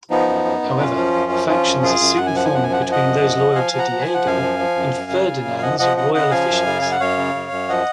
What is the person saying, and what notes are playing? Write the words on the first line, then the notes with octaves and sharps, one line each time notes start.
However, factions soon formed between those loyal to Diego and Ferdinand's royal officials.
F3 B3 D#4
F#2
F#2
F#2
F#2 C#4 F4
F3
F#2
F3
F3 C#4 F4
F#2
F#2 F4 G#4
F#2
F#2 F#5
G#5
F3 F#5
G#5
F#2 F#5
G#5
F3 F#5
G#5
F3
D#5 F#5
F#2
F3
F3
F3 F5 G#5
F3
F#5 A#5
F3
G#5
F3
F#5
F#2 F5 G#5
F3
F3
F#2
F#2
C#3
C#3
F#2
F5
F3 D#5 F#5
F3 D#5 F#5
C#3 D#5 F#5
C#3 D#5 F#5
F3 F5 G#5
F#2
C#3
F#2 G#5
F#5
F#2 C#5 F5
C#3
F#2
F#2
F3 D#5 F#5